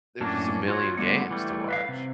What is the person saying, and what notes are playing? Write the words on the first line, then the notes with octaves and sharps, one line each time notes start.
there's just a million games to watch.
F#2 A2 A#3 C#4 D4 A5
F4 F#4 A#4 C#5
D3 G3 A3 B3 F#5
E3 G3 A3
B4 E5 F5
C3